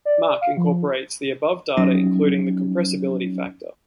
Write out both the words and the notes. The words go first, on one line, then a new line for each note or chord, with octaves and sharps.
Mach incorporates the above data including the compressibility factor.
D5
F5
F3
F#3 C#4 D#4